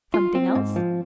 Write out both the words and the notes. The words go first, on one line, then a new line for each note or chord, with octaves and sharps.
"Something else?"
F4
C4
G#2
F3